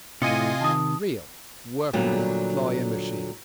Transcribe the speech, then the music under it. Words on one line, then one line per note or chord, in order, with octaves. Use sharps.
Real, workable, flying machines.
A2 C3 F4 D#5 G#5 C#7 D#7
D#3 A5 D#6
A#2 D3 F#3 G3 B3